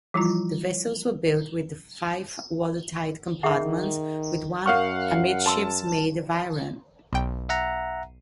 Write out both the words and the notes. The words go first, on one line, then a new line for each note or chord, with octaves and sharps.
The vessels were built with five watertight compartments with one amidships made of iron.
E3 F3 G3 E4 F4 A#5
D#3 G#4 E5 F#5
F#2 A#4 C#5 F5 F#5 C#6 F6
B4 A5 C6 E6
B1 G5
E5 F#5 A#5